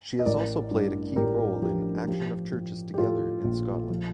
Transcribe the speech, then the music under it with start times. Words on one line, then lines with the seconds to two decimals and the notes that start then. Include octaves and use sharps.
She has also played a key role in Action of Churches Together in Scotland.
0.19 D#5
0.26 A1 A#4 D5
0.71 G2
1.16 A1 G4 A#4
1.62 F3 G4
2.07 F3 G4
2.53 F3
2.94 G4
2.98 A2 F4 A4
3.44 A#1
3.90 F3